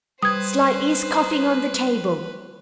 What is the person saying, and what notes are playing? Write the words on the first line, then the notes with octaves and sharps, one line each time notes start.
'Slightly is coughing on the table.'
G3 B4 C5 D#6 G#6